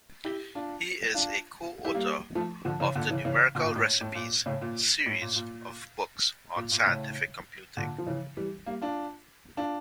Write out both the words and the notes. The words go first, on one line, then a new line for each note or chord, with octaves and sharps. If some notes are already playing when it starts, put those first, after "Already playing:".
He is a coauthor of the Numerical Recipes series of books on scientific computing.
E4 G4
D4 F4
D4 F4
E4 G4
G3 A#3
F3 A3
D3 F3
C#3 E3
A#2 D3
C#3 E3
C#3 E3
A#2 D3
A#2
A2
A2
A#2
A2 C#3
A#2
A2
A#2
A#2
A#2
A#2
A2 C#3
A#2 D3
F3
C#3 E3
E3 G3
G3 A#3
D4 F4
D4 F4